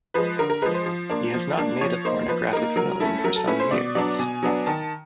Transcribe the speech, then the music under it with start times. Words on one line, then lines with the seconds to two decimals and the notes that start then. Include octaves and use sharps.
He has not made a pornographic film for some years.
0.14 F3 G#3 B4
0.39 D3 A#4
0.50 A#4
0.62 F3 G#3 B4
0.74 C5
0.86 F3
1.10 A#3 D4
1.33 F3
1.57 A#3 D4
1.81 F3 C#5
2.05 A#3 D#4 C5
2.28 F3 B4
2.53 A#3 D#4 A#4
2.76 F#3 A#4
3.00 A3 C#4 E4 A4
3.18 A4
3.24 F#3 A#4
3.36 A4
3.47 A3 C#4 E4 B4
3.60 C5
3.71 B2 D5
3.95 F#3 B3 D4 D5
4.19 B2 G#5
4.43 F#3 B3 D4
4.66 D#3 A5